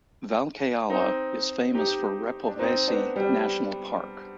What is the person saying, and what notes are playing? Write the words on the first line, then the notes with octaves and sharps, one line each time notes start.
Valkeala is famous for Repovesi National Park.
C4 D#4
D#4 G4
D4
C4 D#4
B3 D4
G3